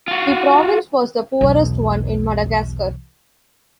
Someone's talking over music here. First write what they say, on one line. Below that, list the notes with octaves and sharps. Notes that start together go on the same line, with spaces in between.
The province was the poorest one in Madagascar.
F4 F#4
B1 E2